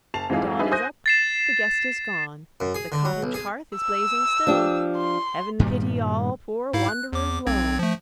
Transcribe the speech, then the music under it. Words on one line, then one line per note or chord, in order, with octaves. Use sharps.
The dawn is up--the guest is gone, The cottage hearth is blazing still; Heaven pity all poor wanderers lone!
F#1 A5 C7 F7
F2 G#2 E3 D#4 F4 G#4
D4 D#4 F4 G#4 B4 E5
C5 G#5 D#6 F#6 G6 A#6
A6 C7 E7
F#2
G#4
D3
F#3
B1
G#4
E6
F3 D4 G4
C6
G2 A#2 D#3 G3
G#2 E4 F5
F#6
E2 D6
B1 C4 G#6
F3 A3